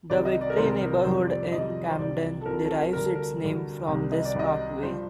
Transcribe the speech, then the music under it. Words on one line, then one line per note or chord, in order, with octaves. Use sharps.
The Victory neighborhood in Camden derives its name from this parkway.
C2 C3 D#3 G3 D5
D#5
D5
A#4
C2 C3 D#3 G3 C5
A#4
F2 C3 D#3 G3 C5
D5
F2 C3 D#3 G3 D#5
C5
C2 C3 F3 D5
A4
C2 C3 F3 A#4
A4
A#4
D2 D3 G3 A#4
A4
A#4
D2 D3 G3
C2 C3 D#3 G3
D#5
D5
C2 C3 D#3 G3 D#5
G2 F3 C5